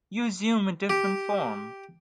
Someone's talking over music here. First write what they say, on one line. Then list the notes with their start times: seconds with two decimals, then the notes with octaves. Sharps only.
You assume a different form.
0.90 G4